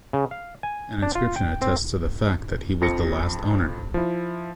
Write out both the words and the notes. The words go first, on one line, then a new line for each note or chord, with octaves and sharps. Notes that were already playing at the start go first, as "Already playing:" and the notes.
An inscription attests to the fact that he was the last owner.
C#3
F5
G#5
D4
F4
G5
C4
F2 F3 A#6 C#7
F3 E4